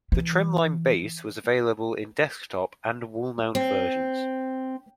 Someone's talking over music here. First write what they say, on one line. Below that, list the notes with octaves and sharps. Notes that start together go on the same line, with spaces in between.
The Trimline base was available in desk-top and wall-mount versions.
E3
C4